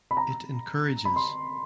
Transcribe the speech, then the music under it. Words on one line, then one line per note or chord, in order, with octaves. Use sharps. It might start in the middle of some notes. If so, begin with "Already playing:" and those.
It encourages.
B5
A#5
B5
C6